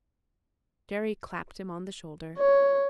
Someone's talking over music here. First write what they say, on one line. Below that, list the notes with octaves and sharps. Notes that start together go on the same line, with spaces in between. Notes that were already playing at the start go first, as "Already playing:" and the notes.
Jerry clapped him on the shoulder.
C#5